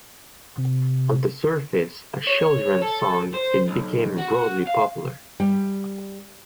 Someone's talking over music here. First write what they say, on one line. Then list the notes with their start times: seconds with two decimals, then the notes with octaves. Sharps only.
On the surface a children's song, it became broadly popular.
0.58 C3
2.27 C#5
2.82 A4
3.34 C5
3.68 B1
4.17 F#4
4.67 F5
5.40 G3